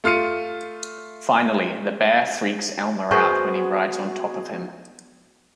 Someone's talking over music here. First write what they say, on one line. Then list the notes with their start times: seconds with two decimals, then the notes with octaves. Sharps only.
Finally, the bear freaks Elmer out when he rides on top of him.
0.04 A3 F4 F6 C#7 D#7
3.11 B3 F#4 G#4 A#4 C5 A5 C#6